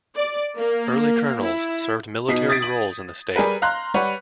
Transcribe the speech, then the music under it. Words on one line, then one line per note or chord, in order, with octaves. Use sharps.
Early colonels served military roles in the state.
D5
A#3
E4
B2 D#4 B6 C7
D#6 G#6 A6 B6 D7
D#6 F#7
G3 G#4 A#4 B4
F5 A#5 C6 F#6
G3 B4 C#5 F#5